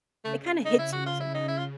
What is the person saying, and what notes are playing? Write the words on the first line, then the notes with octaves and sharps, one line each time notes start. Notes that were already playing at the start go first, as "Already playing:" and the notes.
it kinda hits you sometimes.
C#3 A3
D#4
E4
F#4
C#3 F4
E4
D#4
E4
F4